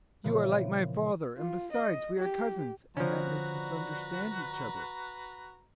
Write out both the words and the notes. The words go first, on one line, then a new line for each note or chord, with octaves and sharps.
You are like my father, and besides, we are cousins, and that makes us understand each other.
A#2 C#3 E3 F3 B3 C4
F4
D#5
G4
D3 F3 C#4 F#4 B4 D5 A#5